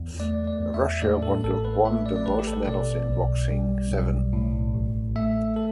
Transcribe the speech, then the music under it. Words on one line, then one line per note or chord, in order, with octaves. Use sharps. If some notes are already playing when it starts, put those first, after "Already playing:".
Russia won the most medals in boxing, seven.
Already playing: E2
A3 D5
D5
E2
E5
A2 D5
A4
A1 A4
B4
A3 E5
D5
D5
A1 B4
G4
A4
B2 D5
B1
G3
B1
A2
A1
A3 E5
A4